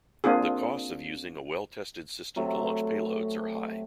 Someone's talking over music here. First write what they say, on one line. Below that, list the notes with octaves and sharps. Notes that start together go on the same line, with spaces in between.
The costs of using a well-tested system to launch payloads are high.
A#3 C4 D4 F4 G#4
C3 F#3 A3